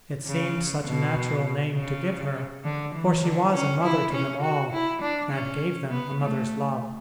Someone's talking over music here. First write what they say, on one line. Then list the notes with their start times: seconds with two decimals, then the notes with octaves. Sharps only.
It seemed such a natural name to give her, for she was a mother to them all, and gave them a mother's love.
0.27 C#3
0.86 B2
1.75 C#3
2.64 D3
2.94 E3
3.23 D3
3.54 C#4
3.83 E4
4.13 C#4
4.42 F#4
4.72 E4
5.02 D4
5.32 C#4
5.91 B3
6.21 A3